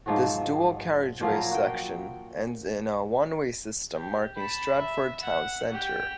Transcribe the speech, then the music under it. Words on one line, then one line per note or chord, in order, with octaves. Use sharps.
This dual carriageway section ends in a one-way system marking Stratford town centre.
G#2 F3 F#3 F#4
A#2 F3 F#3 A#4
F#4 G5
G4
A5 B5
E5
F#5
G4 G5